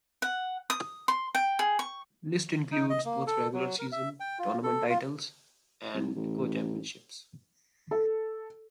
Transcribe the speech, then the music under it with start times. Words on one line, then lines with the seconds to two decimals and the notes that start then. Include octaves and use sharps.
List includes both regular-season, tournament titles, and co-championships.
0.22 F#5
0.70 D#6
1.08 C6
1.35 G5
1.59 G#4
1.79 C#6
2.72 D#4
2.90 D#5
3.05 A#3
3.27 A4
3.54 F#3
3.79 A#4
3.92 E5
4.20 G5
4.39 F4
4.63 A4
4.89 F4
5.94 C2
6.16 A1
7.91 A4